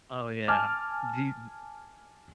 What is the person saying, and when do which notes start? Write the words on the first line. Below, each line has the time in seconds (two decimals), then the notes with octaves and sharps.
Oh, yeah, di
0.48 G#5 A5 D6 F6